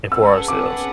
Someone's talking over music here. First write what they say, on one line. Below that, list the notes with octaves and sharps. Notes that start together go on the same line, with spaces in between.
and for ourselves.
C#4 G#4 B4 F#5 A5 E6
D6